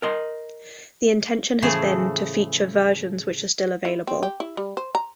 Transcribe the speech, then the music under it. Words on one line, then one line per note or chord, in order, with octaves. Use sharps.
The intention has been to feature versions which are still available.
A#4 D#5 C6
A2 C#3 E3 F3 A3 G#4
E4
C4
G4
E4
G3
C5
A#5